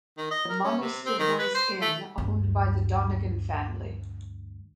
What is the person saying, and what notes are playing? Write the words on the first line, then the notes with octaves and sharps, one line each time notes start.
The "Monasterboice Inn", owned by the Donegan family.
D#3
D#5
A#4
C#4
C3
C4
D#3
B4
C5
A3
D2 G2